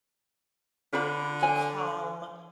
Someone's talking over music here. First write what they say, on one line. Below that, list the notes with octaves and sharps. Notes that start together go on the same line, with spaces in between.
the calm,
D3 F4 C5 B5
G#5